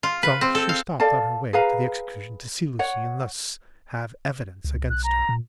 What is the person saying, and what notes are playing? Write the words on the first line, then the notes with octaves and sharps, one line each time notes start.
So she stopped on her way to the execution to see Lucie and thus have evidence against her.
F4
B4
C4
A4
F5
A4 D5 F5 A5
G#4 B4 F5 A#5
C#5 F#5
C#2
B1 F#6
A#5
A#2